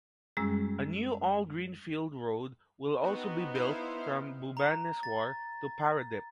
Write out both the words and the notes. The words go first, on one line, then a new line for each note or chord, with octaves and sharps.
A new all green field road will also be built from Bhubaneswar to Paradip.
F#2 G3 G#3 C#4 G#4 E6
B3 C4 D#4 F#4 B4
E4 C5 F5
A#5
A6